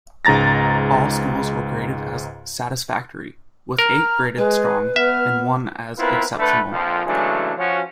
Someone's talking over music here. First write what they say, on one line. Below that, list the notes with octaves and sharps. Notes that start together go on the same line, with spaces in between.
All schools were graded as "satisfactory", with eight graded "strong" and one as "exceptional".
C#2 G#2 A#5 A6 A#6
A#4 A#5 F6
G#3 G#4 B4
B3 E5 F6
B3 C4 E4 F4 A#4 B4
D3 A3 B4
A#1 F2 F3
C#3 E3 F#3 G#3 A3 D4
F3 C#4 F#4